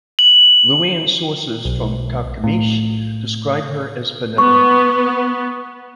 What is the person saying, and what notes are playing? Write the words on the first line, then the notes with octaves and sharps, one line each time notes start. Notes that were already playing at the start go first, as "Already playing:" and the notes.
Luwian sources from Carchemish describe her as benevolent.
F#7
B1
A2
B3 C#6